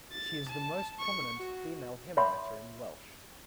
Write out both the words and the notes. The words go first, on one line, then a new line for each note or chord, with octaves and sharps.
She is the most prominent female hymn-writer in Welsh.
A6
A5
C#6 C#7
F#4
C#5 E5 F#5 B5 C6 D6